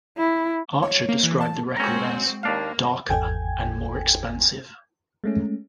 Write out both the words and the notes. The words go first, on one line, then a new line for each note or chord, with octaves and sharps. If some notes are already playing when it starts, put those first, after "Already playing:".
Archer described the record as "darker and more expansive".
E4
C#5
A#3
E3
A5
G#3 C4 C#4 F#4 A#5
D#2 A#3 D4 F5
G#1 E2 A4 G5 G#5 G#6
G#3 A3 C#4